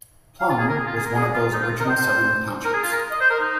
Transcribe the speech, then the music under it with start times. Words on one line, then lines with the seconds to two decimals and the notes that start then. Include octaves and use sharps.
Plum was one of those original seven townships.
0.40 F5
0.49 F4
0.59 G#4
0.68 A#4
0.77 G#4
0.86 F4
0.97 G#4
1.05 A#4
1.15 G#4
1.34 F4
1.53 D#4
1.62 F4
1.80 A#4
1.85 D#5
1.89 C5
2.64 A#4
2.74 G#4
2.83 F4
2.92 A#4
3.11 D#5
3.20 C5
3.30 A#4
3.40 D#4